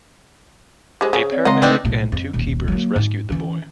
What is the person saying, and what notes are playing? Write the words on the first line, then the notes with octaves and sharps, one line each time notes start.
A paramedic and two keepers rescued the boy.
G3 G#3 C5
C#3
C4 C#5 D5
C#3 G#3 C4 D#5 F5 F#5 A#5 C6
A3 C4 D4 D#4 B4 G5 G6
B1 A2
F2
D#1 B1
F#3 A#3
G#2
E3 C#4